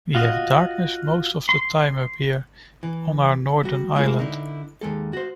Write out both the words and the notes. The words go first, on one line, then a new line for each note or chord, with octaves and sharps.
We have darkness most of the time up here, on our northern island.
F4 F#4 D#5
C6
E3
G3 F#4
G#3 A3 E4 F4 A#4
D3 D#4 E4
D#2 G#3 A4
F#4 C5